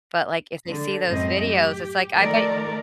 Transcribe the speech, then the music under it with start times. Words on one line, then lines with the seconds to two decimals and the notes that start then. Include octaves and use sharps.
But, like, if they see those videos it's like I bet
0.68 D3
1.08 F#2 A2 C4 D#5
1.49 G4
2.17 D#3 F3 A3 A4 A#4 D5